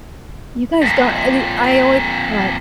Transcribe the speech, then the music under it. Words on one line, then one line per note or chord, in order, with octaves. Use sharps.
You guys don't any I always had
F2 A#2